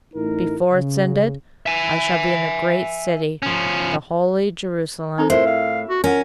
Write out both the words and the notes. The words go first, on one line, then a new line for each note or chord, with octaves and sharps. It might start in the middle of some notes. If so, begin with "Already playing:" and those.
Before it's ended I shall be in the Great City--the Holy Jerusalem.'
A1 A3 D#4 E4 A#4
C#3
E5 G#5
F3 C#4
C4 D#4 A4 C5
A2 E4 F4 A#4 C5 E5
F5
F#4
C#4 F4 A#4 F#5